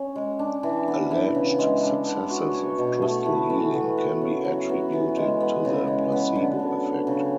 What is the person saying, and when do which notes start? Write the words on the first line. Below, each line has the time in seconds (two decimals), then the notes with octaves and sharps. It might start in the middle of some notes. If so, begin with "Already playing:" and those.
Alleged successes of crystal healing can be attributed to the placebo effect.
Already playing: C#4
0.16 G#3
0.39 D4
0.63 E3
0.88 B3
1.11 E4
1.35 C#3
1.59 G#3
1.82 D4
2.06 B3
2.30 F#4
2.54 C#5
2.78 B2
3.02 A3
3.26 E4
3.50 E3
3.74 B3
3.97 F#4
4.21 C#3
4.44 F#3
4.69 B3
4.93 E3
5.17 G#3
5.40 B3
5.65 C#3
5.88 G#3
6.12 B3
6.36 D3
6.59 F#3
6.84 B3
7.07 C#3